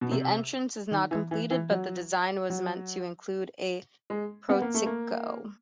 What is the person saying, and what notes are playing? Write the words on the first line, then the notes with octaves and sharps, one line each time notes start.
The entrance is not completed, but the design was meant to include a portico.
B2
C3
D#3
E3
E3
E3
F#3
F#3
G#3
B3
A#3
A3
A#3